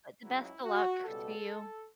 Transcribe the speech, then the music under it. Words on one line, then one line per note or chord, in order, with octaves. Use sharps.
But, the best of luck to you.
C#2 C#3 F#3 E4
F#4
C#2 B2 G3 A4